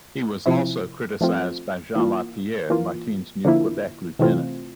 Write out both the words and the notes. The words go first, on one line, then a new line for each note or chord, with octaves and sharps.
He was also criticized by Jean Lapierre, Martin's new Quebec Lieutenant.
C3 F3 C4 E4
F3 A3 C4 F4
E3 A#3 F4
E3 A#3 F4
D3 F3 A#3 E4
C3 E3 A3 C4 F4